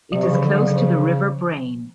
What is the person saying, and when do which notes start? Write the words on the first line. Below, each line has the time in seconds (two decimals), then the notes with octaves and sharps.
It is close to the River Brain.
0.12 C3 F#3
0.23 C#3 F3
0.34 E3
0.44 D3
0.55 C#3 F#3
0.76 F3